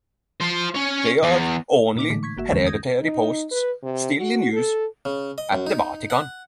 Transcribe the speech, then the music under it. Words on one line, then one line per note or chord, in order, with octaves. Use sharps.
They are the only hereditary posts still in use at the Vatican.
F4 C5
C#4 C#5
E2
A#2 A#3 D#4 D6 B6
A2 D3 E3 G#3 A3
C#6 G#6 B6
G1 A#3 F#4 E5
E2 D3 E3 F3 G#3 C#4
D#6 G6 G#6 A#6
D#4
B4
C3
F#4
A4
C#3
D#5
F#2
D#4
F#5